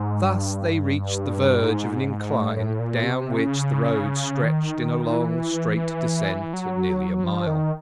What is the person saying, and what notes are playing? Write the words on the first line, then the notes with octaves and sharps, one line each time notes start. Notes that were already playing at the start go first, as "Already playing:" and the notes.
Thus they reached the verge of an incline down which the road stretched in a long straight descent of nearly a mile.
Already playing: G#2
G2
G#2
A2
A2
A#2
C3
C#3
D#3
E3
F#3
F3
D#3